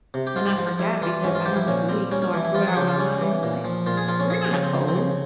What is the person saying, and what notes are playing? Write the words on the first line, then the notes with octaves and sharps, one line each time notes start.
and I forgot because I don't agree, so I threw it out my mind. I'm, like, "We're we're not old,
C3
G4
G#2 F4
F3
G3 E4
E3 F4
G#2 C#4
F4
F3 G4
E4
A#2 C#4
G3 C4
G3 C#4
C#4
E3 E4
E4
F3 F4
G#4
C#3 G4
F4
G3 C#4
E3
A#2
F3
A#2 F4
G#4
F3 F4
C#4
F3 G#4
G#4
C#3
C4
F3
C4
C#3